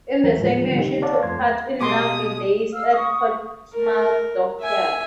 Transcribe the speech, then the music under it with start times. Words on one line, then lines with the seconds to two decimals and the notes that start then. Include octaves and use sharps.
In the same year she took part in Navy Days at Portsmouth Dockyard.
0.24 D#2 E3 F#3 A#4
0.40 A2 F3 G#3
0.66 D3 F3 G3
0.78 C3 D#3 A#3 C4 D#4 G4
1.02 C#5 D5 F5 F#5 A5 D6
1.23 F2 A3 C6 G#6
1.81 B2 G#3 G4 C6 D6 D#6
2.73 F5 E6 F6
2.93 C#6 D#6
3.74 A#4
4.61 E5 G#5